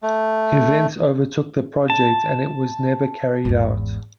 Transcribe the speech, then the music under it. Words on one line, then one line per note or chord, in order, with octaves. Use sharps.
Events overtook the project and it was never carried out.
A3
A5
G#1 E2